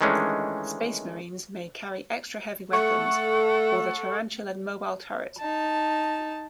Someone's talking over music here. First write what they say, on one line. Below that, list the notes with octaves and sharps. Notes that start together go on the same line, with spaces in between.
Space marines may carry extra heavy weapons or the tarantula mobile turret.
D#3 E3 G#3 A3 C#4 D4
A3 A4 F#5 C#6
D#4 A5